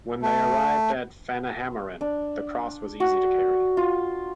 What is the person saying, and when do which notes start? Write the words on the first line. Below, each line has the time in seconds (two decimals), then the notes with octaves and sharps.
When they arrived at Fanahammeren, the cross was easy to carry.
0.22 A3
2.01 D4
3.00 F#4
3.77 F4